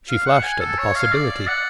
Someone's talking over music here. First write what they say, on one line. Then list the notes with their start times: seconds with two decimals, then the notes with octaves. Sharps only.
She flushed at the possibility.
0.09 F5
0.25 F#5
0.43 G#5
0.60 A4
0.78 C#5
0.95 F5
1.12 D5
1.47 F#5